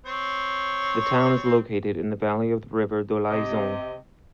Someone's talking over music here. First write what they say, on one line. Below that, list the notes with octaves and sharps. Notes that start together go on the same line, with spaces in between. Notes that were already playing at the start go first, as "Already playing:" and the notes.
The town is located in the valley of the river Dolaizon.
C4 C#5
C3 D#5